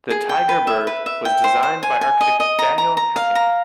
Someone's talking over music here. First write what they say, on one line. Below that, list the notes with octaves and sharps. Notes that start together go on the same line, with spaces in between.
The Tygerberg was designed by architect Daniel Hattingh.
G#4
G5
B4
E5
B4
E5
G5
C5
C5
G#5
G#5
D#5
D#5
A#5
A#5
A#5
F5
A#5